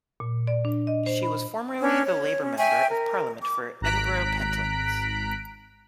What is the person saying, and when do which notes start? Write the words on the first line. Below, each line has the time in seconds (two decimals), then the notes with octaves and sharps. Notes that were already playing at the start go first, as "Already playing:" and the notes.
She was formerly the Labour Member of Parliament for Edinburgh Pentlands.
0.20 A#2
0.47 D5
0.65 D4
0.87 D#5
1.06 C5
1.23 B5
1.80 C#4 D4
2.02 C#5
2.41 C#4
2.57 E5 G5 G#5 C#6
2.88 A#4
3.41 D6
3.81 G#1 A#5 F#6 B6 D7